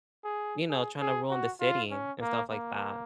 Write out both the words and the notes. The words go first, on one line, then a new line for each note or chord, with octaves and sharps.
you know, trying to ruin the city and stuff like that.
G#4
G#4
G#4
F#4
F4
C#4
A#3
A#3